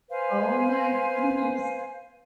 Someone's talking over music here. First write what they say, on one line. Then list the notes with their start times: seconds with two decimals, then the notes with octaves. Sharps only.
Oh my goodness.
0.09 B4 C5 F5 G#5